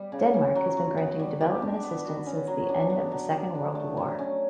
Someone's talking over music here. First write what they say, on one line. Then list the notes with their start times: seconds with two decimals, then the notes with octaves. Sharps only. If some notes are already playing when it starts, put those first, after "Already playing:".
Denmark has been granting development assistance since the end of the Second World War.
Already playing: G3 B3
0.12 C#3
0.34 C#4
0.55 F#3
0.77 F#4
0.97 B3
1.19 G3
1.41 G4
1.62 D4
1.83 B3
2.05 F#4
2.26 C#4
2.47 F#3
2.69 D4
2.90 B3
3.12 F#3
3.33 G4
3.55 D4
3.75 A3
3.97 F#3
4.19 C#4